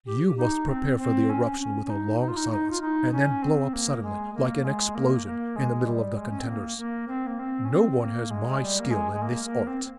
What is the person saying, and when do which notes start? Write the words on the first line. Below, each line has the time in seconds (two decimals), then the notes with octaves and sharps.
You must prepare for the eruption with a long silence and then blow up suddenly, like an explosion, in the middle of the contenders. No one has my skill in this art.
0.06 G4
0.38 D#4
0.68 C4
0.99 C4
1.29 C#4
1.60 C#4
1.85 C#4
1.90 D#4
2.20 D#4
2.28 F4
2.37 D#4
2.51 D#4
2.70 F4
2.81 D#4
3.12 C#4
3.42 C4
3.73 A#3
4.03 G#3
4.34 A#3
4.64 G#3
4.95 A#3
5.26 A#3
5.56 G#3
5.87 G3
6.17 G#3
6.30 C#4
6.39 C4
6.47 A#3
6.78 A#3
7.08 C4
7.27 A#3
7.39 C4
7.65 C#4
7.69 C4
8.00 A#3
8.31 G#3
8.61 G3
8.80 A#3
8.91 G#3
9.12 G#3
9.22 A#3
9.45 A#3
9.67 C4